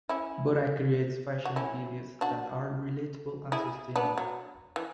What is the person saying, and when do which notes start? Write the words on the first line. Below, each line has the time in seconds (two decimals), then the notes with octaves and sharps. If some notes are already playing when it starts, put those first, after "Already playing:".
Borah creates fashion videos that are relatable and sustainable.
0.09 C#4 E4
1.45 F#4
1.56 C#4 E4
2.21 D4 F#4
3.52 E4 G#4
3.96 B3 D4
4.18 F#3
4.76 E3